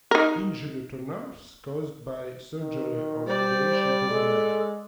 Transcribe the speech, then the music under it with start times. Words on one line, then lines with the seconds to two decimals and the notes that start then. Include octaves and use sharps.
Injury to nerves caused by surgery or radiation to the neck.
0.11 D#4 A#4
2.61 D#3
3.27 G3 C5 D5
4.10 G#3 A4